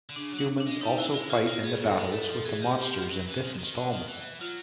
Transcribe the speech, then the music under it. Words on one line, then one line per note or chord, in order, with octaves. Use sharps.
Humans also fight in the battles with the monsters in this installment.
D3
C#3 D4
F#3
D4
D4
G#3
G3 D#4
F#3 E4
G#3 E4
A#3 F4
A#3 F4
B3 G#4
G3
F#3 A4
G#3 A4
A3 A4
E3
F3 A4
E3 G#4
D#3 G4
F3
F3
F#3
E3
D#3
D3
D#3
D3
D#3
E3
F#3 F4